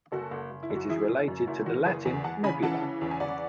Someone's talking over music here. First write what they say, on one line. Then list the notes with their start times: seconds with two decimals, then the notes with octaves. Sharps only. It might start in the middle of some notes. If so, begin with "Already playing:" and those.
It is related to the Latin "nebula".
0.12 F#1 F#4 A4
0.31 F#1
0.51 F#1
0.63 E4
0.70 F#2
0.76 F#4
0.89 E3 E4 G#4
1.09 F#1
1.28 F#2
1.47 F#1 E4
1.66 E3 F#4
1.85 F#1 G#4 B4
2.05 E2
2.24 E2 F#5 A5
2.43 C#3 G#5 B5
2.62 E3 F#5 A5
2.82 C#3
3.01 E2
3.11 G#5
3.20 E2 D5 F#5